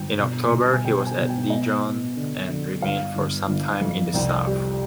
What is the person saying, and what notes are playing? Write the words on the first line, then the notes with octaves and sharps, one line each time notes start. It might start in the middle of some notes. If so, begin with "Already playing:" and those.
In October he was at Dijon, and remained for some time in the south.
Already playing: G1 G5
B2
B2
G#5
B2 G5
G#5
B2
G5
B3 D#5
B3
D3
D3
G1 F5
G1
G1
F2
C2 G5
G3